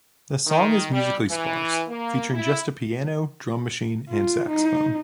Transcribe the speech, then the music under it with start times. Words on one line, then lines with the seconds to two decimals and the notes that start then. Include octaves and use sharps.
The song is musically sparse, featuring just a piano, drum machine, and saxophone.
0.47 D#3
0.92 G3
1.30 E3
1.88 A#3
2.34 E4
4.09 F4
4.48 D#4